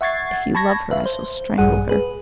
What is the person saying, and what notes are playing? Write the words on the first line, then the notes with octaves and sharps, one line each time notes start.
If you love her, I shall strangle her....
E5 F#5 C#6 G#6 A6 C7
A5 B5 C#6 G#6 A#6
B4 E5 F5
C5
A#1 G2 G#4 F#5
G#4 B4